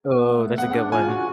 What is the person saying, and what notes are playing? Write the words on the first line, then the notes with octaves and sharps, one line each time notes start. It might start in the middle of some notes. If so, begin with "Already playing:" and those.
Oh, that's a good one.
B3
A3
B3 F#5
D4
F4 G#5
F#4